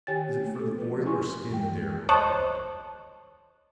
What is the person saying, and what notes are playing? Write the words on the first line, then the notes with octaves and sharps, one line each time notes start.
"Is it for the oil or skin that they are mostly hunted?"
D#3 G4 C#5 G5 G#5 A6
A3 A#3
B3 A4
F3 A#3 B4
E4 F4 A#4 G#5 C6 C#6
G2 E3 G#3 G5
C5 C#5 D#5 A5 C#6 F#6